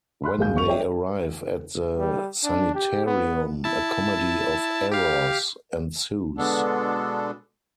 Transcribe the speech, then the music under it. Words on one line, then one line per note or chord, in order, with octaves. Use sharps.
When they arrive at the sanitarium, a comedy of errors ensues.
B5 C6 F6 F#6
G1 D#2 B2 G#4 F5 G6
G1 C#6 F7
G#4 C#5 D5 E5 G5
G3
D4
G4
B3
E4 A5
G4 F5
B2 D3 G#3 B3 D4 A4